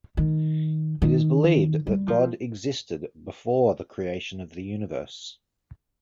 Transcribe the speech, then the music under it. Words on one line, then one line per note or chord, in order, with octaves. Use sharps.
It is believed that God existed before the creation of the universe.
D#3
D#3
G3
F3